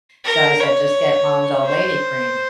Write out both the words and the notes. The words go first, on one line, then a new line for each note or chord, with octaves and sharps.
So, I said, "Just get mom's old lady cream,"
A#4
C#5
C5